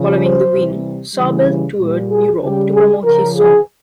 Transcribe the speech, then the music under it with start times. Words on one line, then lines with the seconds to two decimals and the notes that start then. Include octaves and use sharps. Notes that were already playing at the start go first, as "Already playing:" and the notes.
Following the win, Sarbel toured Europe to promote his song.
Already playing: C#3 F3
0.22 C5
0.53 C3 E3 G3
1.15 C#3 E3 G3
1.79 A#2 G3
2.09 G#4
2.41 C#3 G3 G4
2.72 G#4
3.04 C#3 F3 A#4
3.36 G#4